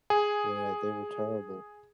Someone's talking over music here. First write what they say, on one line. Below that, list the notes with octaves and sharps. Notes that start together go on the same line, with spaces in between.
Right. They were terrible.
G#4 G#5